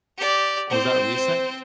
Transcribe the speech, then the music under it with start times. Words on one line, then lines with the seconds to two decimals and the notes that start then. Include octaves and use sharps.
Was that recent?
0.17 G4 D5
0.69 C4 C5